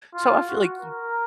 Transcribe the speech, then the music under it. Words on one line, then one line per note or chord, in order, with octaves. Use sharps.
so I feel like, you
F4
F#4
A#4